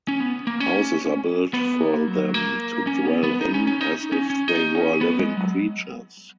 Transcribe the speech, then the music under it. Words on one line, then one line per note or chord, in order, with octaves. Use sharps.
Houses are built for them to dwell in, as if they were living creatures.
C#4
B3
A#3
C#4
B3
A#3
F#3
A#3
C#4
B3
B3
D#4
C#4
C#4
D#4
C#4
C#4
D#4
C#4
B3
G#3
F#3